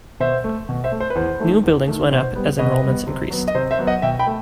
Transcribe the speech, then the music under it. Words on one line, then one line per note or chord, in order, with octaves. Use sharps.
New buildings went up as enrollments increased.
B2 C5 E5
A3
B2
C5 E5
A3
C5
B4
E2 C5
D#3 A3
E2
D#3 A3
B2 C5
G3 B3
B2 B4 D#5
G3 B3
C3
F#3 B3
D#5
C3 C5
C5 E5
F#3 B3
D#5 F#5
B2 E5 G5
G5 B5
A3